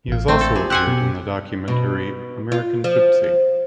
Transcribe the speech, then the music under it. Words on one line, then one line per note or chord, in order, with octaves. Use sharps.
He has also appeared in the documentary American Gypsy.
A1 F5
A3 C4
A4
F4 G4 G#4
G4 F#5 G#5 C6 E6 F#6
B2
B2
F4
F3